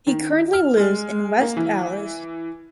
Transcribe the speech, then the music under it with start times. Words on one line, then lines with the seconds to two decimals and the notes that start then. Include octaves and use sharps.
He currently lives in West Allis.
0.07 D#3
0.53 F6
0.77 G#3
1.42 A#3
1.57 E3